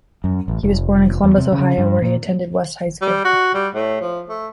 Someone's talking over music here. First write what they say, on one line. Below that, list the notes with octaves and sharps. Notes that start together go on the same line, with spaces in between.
He was born in Columbus, Ohio, where he attended West High School.
F#2
A1
F1
E2
C3
C#3
G2
A#2
G3
F#4
G3
A2
F3
A3